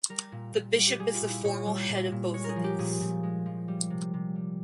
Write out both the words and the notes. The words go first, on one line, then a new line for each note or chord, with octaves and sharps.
The bishop is the formal head of both of these.
G3 A#4
A#2
A#2
G3 F4
G4
G3 G#4
F4
A#2
E4
A#2 C#5
G3
A#2
A#2
G#3 C#5
G#4 A#4
F3
G4
A#2 G#4
A#2
G#3
F3
G3
C3
C3
G3